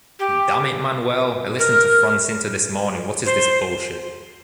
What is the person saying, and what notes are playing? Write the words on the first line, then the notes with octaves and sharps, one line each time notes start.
Damnit, Manuel, I listened to France Inter this morning, what is this bullshit?
G4
A#4
C5